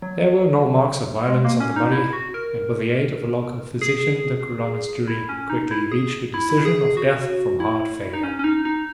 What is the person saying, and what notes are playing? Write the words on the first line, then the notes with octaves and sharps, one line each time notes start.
There were no marks of violence on the body, and with the aid of a local physician the coroner's jury quickly reached a decision of death from heart failure.
F#3
G#3
A#3
C#4
D#4
E4
F#4
A#4
G#4
E4
C#4
D#4
E4
G#4
E4
E4
G#4
G#4
F#4
E4
D#4
C#4
C#4
D#4
D#4